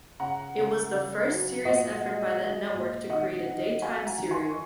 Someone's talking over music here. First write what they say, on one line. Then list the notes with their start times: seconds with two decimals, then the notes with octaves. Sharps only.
It was the first serious effort by that network to create a daytime serial.
0.20 C#3 F#5 A#5
0.56 C#3
0.92 C#3
1.29 F#3
1.65 A#2 D#5 F#5
2.01 G#3
2.38 G#3
2.74 A#2
3.10 D#3 D#5 F#5
3.46 D#3
3.82 F#3 F5 G#5
4.06 F#5 A#5
4.18 D#3
4.31 G#5 C6
4.50 C#6